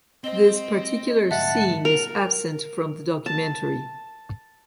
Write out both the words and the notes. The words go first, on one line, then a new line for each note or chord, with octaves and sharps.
This particular scene is absent from the documentary.
C4 C5 D#5 G7
D2 G#2 E5 F#5 A5
A#4
A5